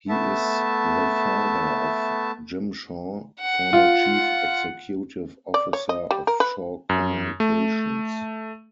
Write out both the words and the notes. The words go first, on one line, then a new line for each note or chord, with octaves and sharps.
He is the father of Jim Shaw, former chief executive officer of Shaw Communications.
A3 B3 E5 A5
F#5
F4
D5
C#5
D#5
G3
A#4
B4
F#2
A3